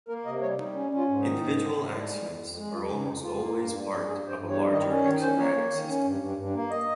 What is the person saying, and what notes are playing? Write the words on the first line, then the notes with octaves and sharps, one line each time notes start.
Individual axioms are almost always part of a larger axiomatic system.
A#3 A#4
C3 D#5
G3 C#5
G3 D#4
C#4
C#4
F4
G#2
D#4
D#3
G#2
D#3
G#2
G3
G#3
F2
F2
G#3
F2 F4
C#3 D#4
F2 D#4
F2 F4
A#3
G2
G3
G2
G2 G#4
G2
C5
G2
C#5
G3
D#3 D#5
C#4
D#3 C#5
C#4 C5
A#3 C#5
A#3
D#3
C#4
G2
G2
G2
A#3
D#5